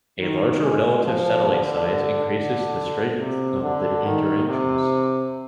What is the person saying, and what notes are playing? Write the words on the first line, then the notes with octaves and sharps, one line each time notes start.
A larger relative satellite size increases the strength of their interactions.
D#3
G#3
F3
D3
D3
C3
D3
D#3
C3